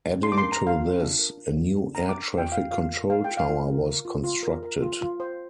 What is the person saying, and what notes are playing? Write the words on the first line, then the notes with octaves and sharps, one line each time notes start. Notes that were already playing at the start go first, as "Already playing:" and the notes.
Adding to this, a new air traffic control tower was constructed.
D4 C6
D6
A#4 C6
A#5
D4
F5
F4
D4
A#4
D4
F4
D4
A#4 A#5
D4 D6
F4 G5
F4 F5
F4 F5
A#4
A#4 F5
F4 G5
F5
F4
A#4
A#4
F4
F4
A#4
A#4
F4
F4
C5